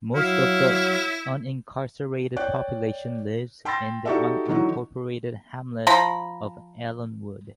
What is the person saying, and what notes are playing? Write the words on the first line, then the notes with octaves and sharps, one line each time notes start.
Most of the unincarcerated population lives in the unincorporated hamlet of Allenwood.
F#3 E4 F#4 C#5 F5
C#5 D5 G5 F#6
G5 B5 C6 E6 A6 A#6
D#4 F#4 G4 A4 D5 E5
D3 E3 F#3 D#4 E4 F#4
F3 A#5 B5